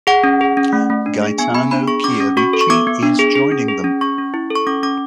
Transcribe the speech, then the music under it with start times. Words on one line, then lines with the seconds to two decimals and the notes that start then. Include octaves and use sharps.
Gaetano Chierici is joining them.
0.07 G#4 F#5
0.24 C#4
0.41 G#4
0.57 C#4
0.73 A3
0.90 A3
1.06 D4
1.22 G#4
1.38 B3 G#5
1.54 B3 B5
1.71 D4 B5
1.88 G#4 C#6
2.04 C#4 D6
2.21 C#4
2.37 F#4 C#6
2.53 A4
2.61 C#6
2.70 B3 D6
2.87 B3
3.03 D4
3.19 G#4
3.35 G#4
3.52 C#4
3.68 G#4
3.84 C#4
4.01 C#4 C#6
4.18 C#4
4.34 E4
4.50 A4
4.55 C#6
4.67 C#4 D6
4.83 C#4 D6